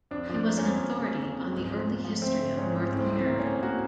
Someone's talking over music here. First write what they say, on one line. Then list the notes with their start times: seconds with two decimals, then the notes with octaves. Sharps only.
He was an authority on the early history of North America.
0.11 F2 D4
0.29 F3
0.35 D4
0.46 A#3
0.58 C#4
0.64 F2
0.81 F2
0.99 C#3
1.17 C#3
1.34 F2
1.53 G#2
1.70 F3
1.87 F3
2.04 F3
2.22 A3 C4
2.39 G#2
2.57 G#2 C#4
2.75 G#2
2.93 A2 C4
3.11 A2 C4
3.27 A#3
3.39 C#4
3.45 A#3
3.63 A#3 F#4